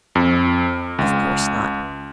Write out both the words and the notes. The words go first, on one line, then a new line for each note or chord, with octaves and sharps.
Of course not!
F2
C#2